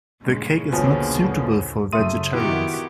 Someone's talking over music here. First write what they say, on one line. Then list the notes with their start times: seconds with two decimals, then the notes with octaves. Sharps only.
The cake is not suitable for vegetarians.
0.23 G2 A#2 C#3 G#3
0.72 A#1 D#2 B2 D3 F3 B3 C#5 G#5
1.93 F#2 C#3 A3 E5 C6 D#6 D#7
2.34 D#3 B3 E4 F#4 G4